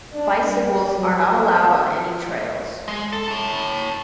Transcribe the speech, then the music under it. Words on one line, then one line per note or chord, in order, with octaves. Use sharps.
Bicycles are not allowed on any trails.
D4
G3
F#3
B2
G#3
A4
C#5 A5